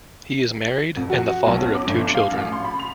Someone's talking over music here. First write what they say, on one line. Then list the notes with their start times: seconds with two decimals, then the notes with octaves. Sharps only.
He is married and the father of two children.
0.97 F2
1.10 F#4
1.47 B1
1.60 C#4
1.75 D6
1.87 G1
2.15 F5
2.32 A1
2.52 C6
2.64 B5
2.79 F7